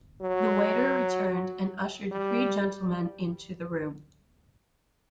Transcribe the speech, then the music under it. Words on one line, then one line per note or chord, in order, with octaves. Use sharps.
The waiter returned, and ushered three gentlemen into the room.
F#3
G3